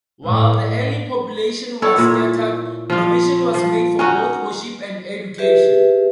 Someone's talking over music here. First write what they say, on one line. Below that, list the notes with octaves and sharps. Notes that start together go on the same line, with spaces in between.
While the early population was scattered, provision was made for both worship and education.
A2
E4 A4 C#5
A#2
F3 F4
F3
C#4 D#4 F#4
G4 G#4 B4 E5